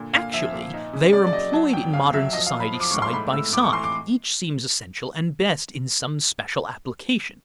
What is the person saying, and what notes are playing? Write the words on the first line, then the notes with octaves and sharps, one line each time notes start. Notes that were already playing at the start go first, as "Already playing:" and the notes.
Actually they are employed in modern society side by side; each seems essential and best in some special application.
Already playing: A#2 D3
A#2 F5
F3 E5
A#2
D#4
C#3
C#3 D5
D5
F#3 D#5
F#3 A5
F2 G5
F2 F5
F#3 E5
F3 D#5
F5
F3
B5
F3
D6
G#2 C#6
C6
A2 B5
A2 E6
A2 D6
C#6
E3 C6
D6